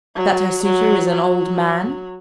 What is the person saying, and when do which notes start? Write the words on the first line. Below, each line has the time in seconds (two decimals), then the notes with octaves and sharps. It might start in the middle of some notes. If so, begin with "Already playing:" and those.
That her suitor is an old man?
0.16 F#3
0.63 F#3
1.09 F#3